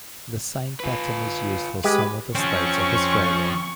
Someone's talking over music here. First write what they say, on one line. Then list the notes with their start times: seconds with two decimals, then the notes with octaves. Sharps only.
The same pattern is used for some of the states of Australia.
0.80 F4 B4
1.84 G#3 G4 B4
2.35 F3 C4 C#4 C#6